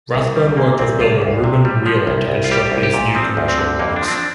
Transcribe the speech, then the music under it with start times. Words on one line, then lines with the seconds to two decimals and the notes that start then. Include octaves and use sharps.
Rathbone worked with builder Reuben Wheeler to construct these new commercial blocks.
0.15 C2
0.36 G3
0.57 A#2 A#3
0.79 C2 C4
1.00 C2 F4
1.22 D2
1.44 C3
1.65 G3
1.86 F3
2.07 C2
2.29 C2
2.44 F4
2.51 G3 G4
2.72 C2
2.83 G4
2.94 A#2
3.15 F3 C4
3.37 D2
3.48 C4
3.58 D3
3.79 F2 A#3
3.96 D4
4.02 F3
4.08 C4
4.12 D4